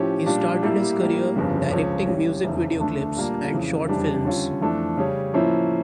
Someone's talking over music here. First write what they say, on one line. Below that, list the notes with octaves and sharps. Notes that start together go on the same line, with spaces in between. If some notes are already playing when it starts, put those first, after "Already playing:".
He started his career directing music videoclips and short films.
Already playing: A2 F3 C#4 G4
A#2 G3 D4
A2 G3 A#3 E4 G4
A2 G3 A#3
G1 F2 C#3 G3
C#2 C#3 F3 C#4
A2 G3 C#4
F1 E2 C#3
D2 D3 A3 D4
A#2 G3 A#3 D4
F2 C#3 E3
F1 E2 C#3 G3 D4
D3 G3 C#4 F4
F2 E3 A3 D4 A4
C#3 G3 C#4
A2 F3 A#3 C#4 E4